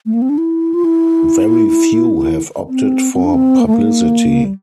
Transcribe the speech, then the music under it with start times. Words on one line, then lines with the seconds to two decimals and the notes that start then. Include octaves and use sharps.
Very few have opted for publicity.
0.06 A3
0.14 A#3
0.22 C4
0.29 D4
0.38 E4
0.74 F4
0.85 E4
2.68 C4
3.13 C4
3.24 D4
3.34 C4
3.60 A#3
3.67 A3
3.74 A#3
4.45 G3